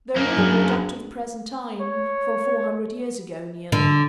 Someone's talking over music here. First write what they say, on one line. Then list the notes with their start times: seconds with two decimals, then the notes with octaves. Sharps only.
"They're all brought up to the present time--from four hundred years ago, nearly."
0.16 F#2 A#3
0.37 F#3 D4 G#4
1.81 C#5
3.72 D3